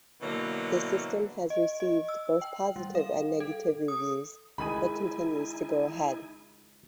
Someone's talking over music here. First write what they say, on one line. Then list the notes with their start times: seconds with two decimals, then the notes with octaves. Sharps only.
The system has received both positive and negative reviews but continues to go ahead.
0.21 B2 D3 E3 F#3 A#3
1.50 D#5
1.80 D#5
2.08 E6
2.41 G5
2.76 G3
2.95 F5
3.40 A4
3.88 D#6
4.58 C#2 D#3 D#4 E4 G#4 G#5 B5 D#7